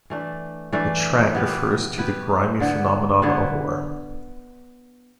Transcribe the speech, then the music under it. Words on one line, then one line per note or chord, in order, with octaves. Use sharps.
The track refers to the grimy phenomenon of war.
E3 A3 D4
E3 A3 D4
B3 E4 G4 B4
B3 E4 G4 B4
D3 B3 E4
D3 B3 E4